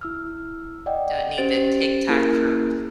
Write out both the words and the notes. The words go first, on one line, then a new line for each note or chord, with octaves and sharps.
don't need the TikTok for
E4 E6 F6
D5 D#5 F#5 G5
C#4 G4 C5 A6 D7
A#3 C#4 E4 G#4 A#4